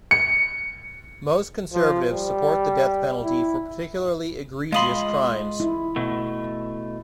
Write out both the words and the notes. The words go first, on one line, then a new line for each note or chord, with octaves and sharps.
Most conservatives support the death penalty for particularly egregious crimes.
C#7
F3
G3
E4
G#3 F4 D#5 B5 C6
E4
B2 A3